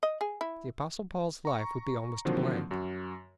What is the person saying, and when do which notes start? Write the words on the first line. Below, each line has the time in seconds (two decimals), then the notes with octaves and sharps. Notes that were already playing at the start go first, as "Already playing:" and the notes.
The Apostle Paul's life would be almost a blank.
0.03 D#5
0.21 G#4
0.41 E4
1.45 A#5 C#6
2.25 D3 D#3 F3 F#3 A#3 C4
2.71 F#2 F#4